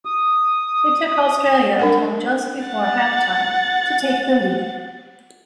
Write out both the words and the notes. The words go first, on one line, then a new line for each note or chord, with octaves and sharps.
It took Australia until just before half-time to take the lead.
D#6
D4 A#4 F#5
F#5 A6